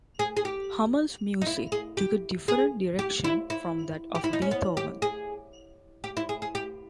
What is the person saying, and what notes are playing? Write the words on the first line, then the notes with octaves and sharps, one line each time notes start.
Hummel's music took a different direction from that of Beethoven.
G#4
G#4
G4
D#4
E4
G#4
G4
G#4
G4
E4
E4
G4
E4
D#4
C#4
B3
G4
G#4
G4
E4
G#4
G#4
G4